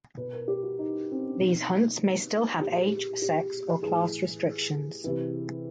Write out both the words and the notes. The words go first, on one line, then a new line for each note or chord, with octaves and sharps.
These hunts may still have age, sex or class restrictions.
B2 B4
A#4
G4
F#4
D#4
C4
C#4
D4
B2 D#4
A#2 G4
G#4
G4
G4
A2 E3 G#4
C3 E3